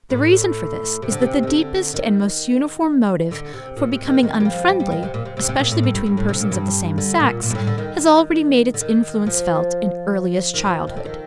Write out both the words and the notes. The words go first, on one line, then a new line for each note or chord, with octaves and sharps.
The reason for this is that the deepest and most uniform motive for becoming unfriendly, especially between persons of the same sex, has already made its influence felt in earliest childhood.
A2
C3
D3
C3
D#3
D3
D#3
D3
C3
A#2
C3
D#3
D#3
G3
F3
G3
G3
D#3
C3
A#2
C3
C3
C3
A#2
A2
G2
G2
G2
A2
C3
A#2
G2
D3
A#2
A#2
G2
A2
D3
D#3
D3
D#3
F3
D#3
F3
D#3
D3
D#3